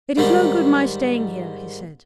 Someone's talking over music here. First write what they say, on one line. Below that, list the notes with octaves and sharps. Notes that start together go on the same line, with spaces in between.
"It is no good my staying here," he said.
G#2 D#3 G3